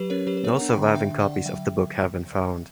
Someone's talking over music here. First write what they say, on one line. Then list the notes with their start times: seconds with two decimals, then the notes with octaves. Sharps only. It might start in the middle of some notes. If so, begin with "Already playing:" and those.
No surviving copies of the book have been found.
Already playing: F#3 G4 B4
0.10 C#4 A#4 C#5
0.27 F#3 G4 B4
0.37 B4
0.44 B3 A#4 C#5
0.57 D4 F#5 A#5
0.69 G5 B5
0.78 D3 F#5 A#5
0.94 D4 E5 G5
1.11 D3
1.20 D5 F#5
1.28 D3
1.34 F#5
1.45 F#3 E5 G5